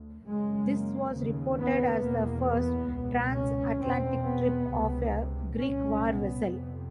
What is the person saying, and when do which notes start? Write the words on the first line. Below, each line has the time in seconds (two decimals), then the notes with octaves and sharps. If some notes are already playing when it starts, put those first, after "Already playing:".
This was reported as the first transatlantic trip of a Greek war vessel.
Already playing: D2
0.26 F#2 C#3 G#3
0.71 A#3
1.15 D#2 C#3
1.59 B3
2.03 E2 B2 A#3
2.47 B3
2.91 C#2 B2
3.35 C#4
3.80 E2 B2 C4
4.25 B3
4.69 C#2 C3
5.57 C2 A#2 C#4
6.01 B3
6.45 F2 C3